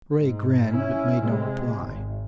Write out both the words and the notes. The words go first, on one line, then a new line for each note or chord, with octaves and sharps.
Ray grinned, but made no reply.
G#2
C#4 E4
C3 G#3
G#1